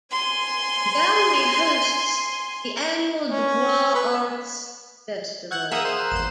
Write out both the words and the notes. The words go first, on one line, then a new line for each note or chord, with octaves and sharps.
The gallery hosts the annual DuBois Arts Festival.
G#5 C6
C#4
B4
F#5 E6 G6 G#6 F#7
A#3 G#4 E5 F#5 D#6
C5
A#5 F#6
G#1 E2 G6 E7